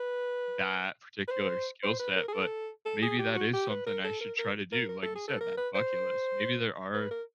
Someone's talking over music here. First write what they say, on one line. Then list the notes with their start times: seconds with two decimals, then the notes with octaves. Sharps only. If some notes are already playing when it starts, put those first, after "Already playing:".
that particular skill set, but maybe that is something I should try to do, like you said, that bucket list, maybe there are
Already playing: B4
1.28 B4
1.31 C5
1.83 C5
1.99 B4
2.16 A#4
2.28 G#4
2.33 A4
2.85 A4
3.02 G#4
3.19 G4
3.35 F#4
3.53 G4
3.70 B4
3.87 A#4
4.04 A4
4.21 A#4
4.39 A#4
4.72 A#4
4.89 A#4
5.03 A4
5.15 G#4
5.28 A4
5.41 A#4
5.57 B4
5.75 C5
6.94 B4
7.11 A#4